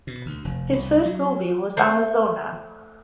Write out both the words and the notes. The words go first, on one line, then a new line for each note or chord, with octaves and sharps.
His first movie was "Amazona".
B2
D2
F1
C2
F#3
A3 C5